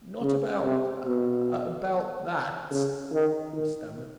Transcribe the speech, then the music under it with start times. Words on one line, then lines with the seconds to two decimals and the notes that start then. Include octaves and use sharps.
"Not about--about that--" he stammered.
0.21 C#3
0.63 C3
1.05 B2
2.71 C#3
3.13 D#3
3.54 D#3